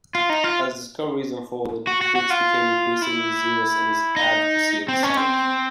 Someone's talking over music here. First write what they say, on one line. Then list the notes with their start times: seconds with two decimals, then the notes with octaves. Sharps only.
As the discoveries unfolded, Griggs became increasingly zealous in his advocacy of the site.
0.15 F4
0.29 D#4
0.44 F4
1.87 F#4
2.01 F#4
2.15 F#4
2.30 F4
3.02 E4
4.16 D#4
4.88 C4
5.03 C#4
5.17 C4